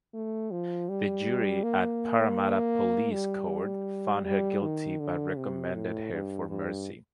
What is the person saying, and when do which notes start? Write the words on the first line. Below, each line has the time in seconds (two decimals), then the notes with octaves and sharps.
The jury at Parramatta Police Court found her guilty but recommended her for mercy.
0.14 A3
0.51 F3
0.89 G3
1.63 A#3
3.13 G3
4.25 G3
4.62 D#3
5.00 D3
5.37 C3
5.75 A2
6.12 G2
6.49 G2